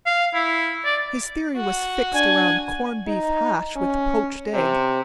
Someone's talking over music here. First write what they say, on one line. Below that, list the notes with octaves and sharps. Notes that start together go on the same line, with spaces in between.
His theory was fixed around corned-beef hash with poached egg.
F5
E4
D5
F#4
D4 G#5
D#4
C#4
C3